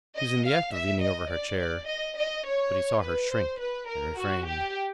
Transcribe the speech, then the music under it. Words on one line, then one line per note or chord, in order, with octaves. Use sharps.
He was in the act of leaning over her chair, but he saw her shrink, and refrained.
D#5
F5
E5
D#5
D5
D5
D#5
D#5
C#5
B4
C5
B4
A#4
F#4
G4